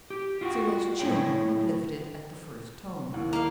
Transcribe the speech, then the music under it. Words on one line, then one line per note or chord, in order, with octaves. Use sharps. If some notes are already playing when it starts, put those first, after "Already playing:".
Cyril's chin had lifted at the first tone.
G4
F4 F#4 G5
A2 B3 G#4 C#5 G5
D#2 E3
A#3 F5